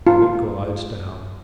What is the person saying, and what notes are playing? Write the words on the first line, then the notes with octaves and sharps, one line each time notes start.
Then it glides down.
F4